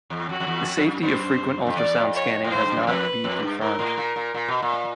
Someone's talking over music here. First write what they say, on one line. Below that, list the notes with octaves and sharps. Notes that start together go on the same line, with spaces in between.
The safety of frequent ultrasound scanning has not be confirmed.
E2
F2 F#4
F2
E2
F2
F2
F#2
F#2 C5
F2
E2 D5
F2
C#5
A2
G#2 C5
G2
F#2
F2 B4
F2
G2
G#2 A#4
A2
A#2
A#2
A#2
B2
A#2